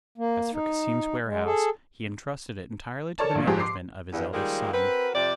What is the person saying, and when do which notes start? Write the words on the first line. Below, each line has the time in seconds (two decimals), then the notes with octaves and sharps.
As for Cassim's warehouse, he intrusted it entirely to the management of his eldest son.
0.18 A#3
0.53 D#4
1.25 G#3
1.45 G#4 A4
3.19 A4 A#4 C#5 D5 A5
3.35 A#1 A#2
3.47 G#2 F3 G4 G#4
3.60 C6 D6 C7
4.11 E2 G2
4.32 D#3 F3 G3 G#3 A#3
4.72 C4 F#4 A#4 B4
5.14 F2 C3 D5